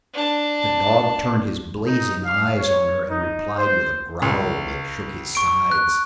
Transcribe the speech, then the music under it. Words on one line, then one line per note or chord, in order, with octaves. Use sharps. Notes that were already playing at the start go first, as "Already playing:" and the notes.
The dog turned his blazing eyes on her and replied with a growl that shook his sides.
D4 A5
D#4
F5
C#5
D#4
C5
C#2
C#6 D7
F#6